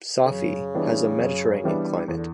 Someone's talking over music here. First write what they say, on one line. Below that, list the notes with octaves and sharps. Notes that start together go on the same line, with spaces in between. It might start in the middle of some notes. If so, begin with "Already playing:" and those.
Safi has a Mediterranean climate.
D3
F#2 C#3
E3 G3 B3 D4
F#2
E3 G3 B3 D4
E2 C#3
D3